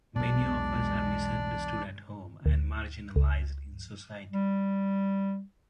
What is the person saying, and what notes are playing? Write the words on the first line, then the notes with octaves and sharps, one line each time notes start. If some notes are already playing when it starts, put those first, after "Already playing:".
Many of us are misunderstood at home and marginalised in society.
B1 E2 B2 G#3 D4 D5
D2
C#2
G3